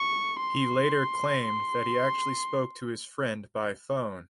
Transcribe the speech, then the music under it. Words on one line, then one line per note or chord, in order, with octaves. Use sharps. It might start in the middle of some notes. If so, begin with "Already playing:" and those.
He later claimed that he actually spoke to his friend by phone.
Already playing: C#6
C6
C6